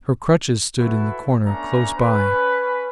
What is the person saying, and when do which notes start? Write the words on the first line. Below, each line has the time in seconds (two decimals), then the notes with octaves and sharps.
Her crutches stood in the corner close by.
0.79 E4 F#4 A4 B4
1.45 A3 B3 C#4 D4 A#5
1.98 C#4 B4